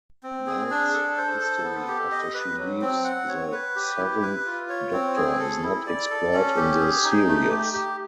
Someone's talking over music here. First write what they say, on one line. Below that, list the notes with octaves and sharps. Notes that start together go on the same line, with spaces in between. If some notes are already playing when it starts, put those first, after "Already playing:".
Mel's history after she leaves the Seventh Doctor is not explored in the series.
C4
G#4
D4
A4
C5
A4
B3
G4
D#5
B4
F#3
C4
F#5
C#5
B4
G4
E4
B4
F4
C#5
C4
G#4
A4
E4
D5
A4
C#4
G4
G#4
D#4
A3
G4
G4